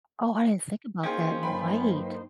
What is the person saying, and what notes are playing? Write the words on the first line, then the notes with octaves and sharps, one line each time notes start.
Oh, I didn't think about that. You're right.
A#3 C#4 D#4 F4 G#4 C5 G5
G2 F#3 G5 B5